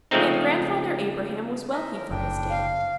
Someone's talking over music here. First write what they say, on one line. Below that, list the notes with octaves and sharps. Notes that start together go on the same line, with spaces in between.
Yet Grandfather Abraham was wealthy for his day.
C#3 F3 G#3 A3 C4 D#4
D#4 D#5 E5
D3 F3 A#4
F#1 A2 D4 G5
F5